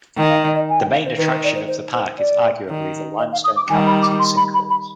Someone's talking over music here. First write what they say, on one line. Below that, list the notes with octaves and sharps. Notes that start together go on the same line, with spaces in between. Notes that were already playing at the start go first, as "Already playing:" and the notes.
The main attraction of the park is arguably the limestone caverns and sinkholes.
D#3 G5
F5
D#5
D#5
G#5
G5
F5
C5
D#3 B4
C5
D5
C5
C5
C5
D5
D#3
D#5
F5
D#6
D6
D#3 G3 G#5
B5
D6
C6
B5
B5
B5